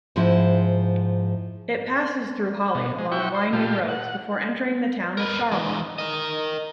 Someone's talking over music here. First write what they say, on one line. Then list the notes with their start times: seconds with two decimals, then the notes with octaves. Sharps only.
It passes through Hawley along winding roads before entering the town of Charlemont.
0.16 G#2 F3 E4
2.75 B2
2.98 G#3
3.12 E4 F#4 G5 C#6
3.34 C5
3.53 A#2 A3 F4 G4
3.88 F#5
5.17 A#4 B4
5.52 E3 G#3
5.98 A#4 D#5